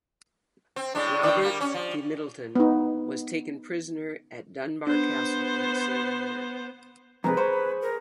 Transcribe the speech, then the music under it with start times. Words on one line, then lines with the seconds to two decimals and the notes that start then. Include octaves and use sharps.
Robert de Middleton was taken prisoner at Dunbar Castle in the same year.
0.76 C4
0.95 A2 G#3 D4
1.23 A2 D#3 D5
1.41 G3 A#3
1.61 C#4
1.74 F3
2.55 B3 D#4
4.87 B3 D4 C5
7.24 F2 G#2 C3 G#4 A#4 B4
7.37 C5 C#5 B5
7.81 A#4